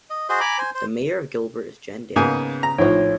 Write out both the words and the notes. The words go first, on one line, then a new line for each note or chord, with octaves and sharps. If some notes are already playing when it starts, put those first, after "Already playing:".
The mayor of Gilbert is Jenn Daniels.
D#5
F#4 G#4 C5 D#5
G#5 A#5 B5 D6
C5 G#5
C5
G#2 C#3 A#3 B3 G#5
A#5
A#1 A2 D#4 F4 C5 C#5